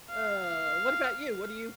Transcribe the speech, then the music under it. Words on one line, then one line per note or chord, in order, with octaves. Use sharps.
Uh, what about you? What do you
F5